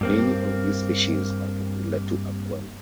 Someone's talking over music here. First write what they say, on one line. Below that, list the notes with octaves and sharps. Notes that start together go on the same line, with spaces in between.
Many of the species are popular for aquaria.
G2 A#3 C4